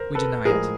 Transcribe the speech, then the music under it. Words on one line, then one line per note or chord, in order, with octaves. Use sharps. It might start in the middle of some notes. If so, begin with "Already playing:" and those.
We deny it.
Already playing: A#4 C5
A4 B4
A2 F3 G#3 G#4 A#4